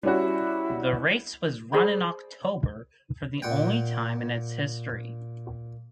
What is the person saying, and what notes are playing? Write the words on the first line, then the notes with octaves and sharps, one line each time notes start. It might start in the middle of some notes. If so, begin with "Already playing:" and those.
The race was run in October for the only time in its history.
G3 C#4 E4 F#4
G#4 C5 D5 B5
A#2 F#5 G5